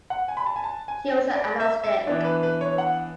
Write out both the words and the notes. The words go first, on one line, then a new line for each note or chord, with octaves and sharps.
He was an agnostic.
F#5
G#5
B5
A5
G#5
A5
G#5
D5
E5
E5
E3 B3 D4 D5
B4
B4
C#5
F#5